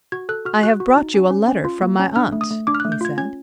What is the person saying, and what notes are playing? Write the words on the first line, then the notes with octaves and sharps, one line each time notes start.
"I have brought you a letter from my aunt," he said.
F#4 G#6
A4 F#6
F#4 F6
F#4 F#6
F#4
D#4
C#4
C#4
C#4
F4
A#3
C#4
D4 F6
A3
D#6
A3
D4 D6
F6
A3 F#6
G6
F4 G#6
C#4 G#6